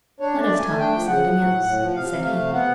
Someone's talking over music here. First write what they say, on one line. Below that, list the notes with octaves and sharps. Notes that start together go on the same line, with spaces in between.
"Let us talk of something else," said he.
D4 C#5
A3 D5
A3
G#5
A3
D4 G5
F3
C#3 F#5
F3
A2
A2
A2
F3
C3 F5
C3
A3 F5
C3
B3 F#5